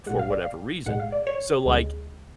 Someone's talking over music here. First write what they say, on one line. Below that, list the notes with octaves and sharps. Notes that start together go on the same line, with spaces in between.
for whatever reason. So, like,
B1 A2 G#3 F#5
F5
D5
F5
B1 A2 G#3 F#5
F5
D5
C#5
D2 C#3 G#3